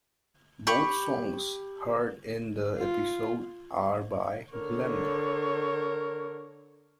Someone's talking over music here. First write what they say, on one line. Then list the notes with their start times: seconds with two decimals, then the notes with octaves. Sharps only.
Both songs heard in the episode are by Glenn Miller.
0.67 G4 B5 C#6
2.79 F4
4.54 D3 A#4 C#5